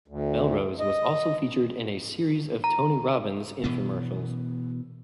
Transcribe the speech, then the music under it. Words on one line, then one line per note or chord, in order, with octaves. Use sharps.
Melrose was also featured in a series of Tony Robbins infomercials.
D2
D#5
A#5
B2 E3 B3